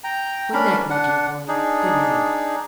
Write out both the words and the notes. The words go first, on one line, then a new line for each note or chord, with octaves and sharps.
Good-night, my dear boy, good-night.
G5 A#5
C#4 D4 A#4 B5
D4 F#5
D4 D#4 G#4